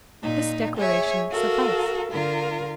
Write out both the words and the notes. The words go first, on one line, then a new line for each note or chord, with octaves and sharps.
This declaration sufficed.
A#2 D#4
G#4 C#5 E5
F#4 A4 A#4 F5
D3 F4 A#4